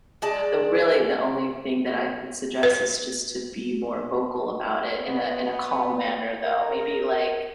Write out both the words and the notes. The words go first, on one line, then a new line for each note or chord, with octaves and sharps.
The, really, the only thing that I would suggest is just to be more vocal about it in a in a calm manner, though. Maybe, like,
G#3 D5 A5
B4
B3
A#4